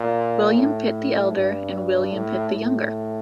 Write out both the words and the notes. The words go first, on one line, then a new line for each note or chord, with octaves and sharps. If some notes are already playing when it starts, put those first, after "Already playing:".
William Pitt the Elder and William Pitt the Younger.
Already playing: A#2
A2
G2
A2
A2